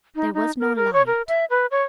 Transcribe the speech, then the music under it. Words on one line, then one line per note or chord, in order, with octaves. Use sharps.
There was no light.
D#4
D#4
A#4
A#4
C#5
A#4
E5
B4
C#5